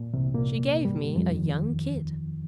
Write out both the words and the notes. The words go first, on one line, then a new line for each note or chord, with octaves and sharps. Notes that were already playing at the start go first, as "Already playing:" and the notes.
'She gave me a young kid.'
Already playing: A#2
C2 C3
A#2 A#3
G2 G3
F2 F3
D#2 D#3